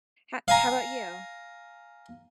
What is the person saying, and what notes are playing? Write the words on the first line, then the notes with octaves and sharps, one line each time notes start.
Ho how 'bout you?
F5 G#5 A#5